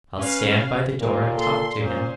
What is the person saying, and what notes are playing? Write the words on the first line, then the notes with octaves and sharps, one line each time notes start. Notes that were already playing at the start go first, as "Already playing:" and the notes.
'I'll stand by the door and talk to him.'
C#4 B4 F5
D#2 A#2 A#3 F4
A4 C6
A#2 C#4 C5